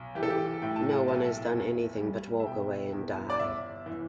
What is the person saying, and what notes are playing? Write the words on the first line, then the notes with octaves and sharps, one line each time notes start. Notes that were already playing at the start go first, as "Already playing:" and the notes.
No one has done anything but walk away and die.
Already playing: B1
E3 G4
A4
G4
A2 G5
A5
G5
B1 A5
E2
G3
E5
B2 G5
E2
D5
G1 E5
E3